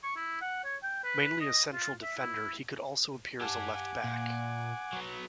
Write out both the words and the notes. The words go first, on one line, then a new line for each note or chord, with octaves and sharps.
Mainly a central defender, he could also appear as a left back.
C#6
E4
F#5
C#5
G5
B4
D#5
F4
E5
E4
G4 F#5 G#5 A5 D6
A#2
F#3 B3